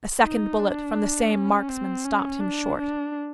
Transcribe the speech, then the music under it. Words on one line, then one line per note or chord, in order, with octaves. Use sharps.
A second bullet from the same marksman stopped him short.
D#4
D4
C#4
C4
C#4
D4
D4